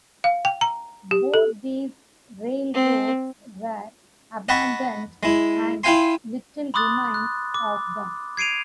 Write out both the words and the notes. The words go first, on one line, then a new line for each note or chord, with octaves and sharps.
Both these railroads were abandoned and little remains of them.
F5
G5
A#5
G4
A4
C4
D#5 F#5 A5 B5 C#6
G#3 E4
E4 F4 F5 G5 G#5 C6
B5 C6 D6 D#6 F#6 A6
F#6
D6
G#6 C7 D7 D#7 F7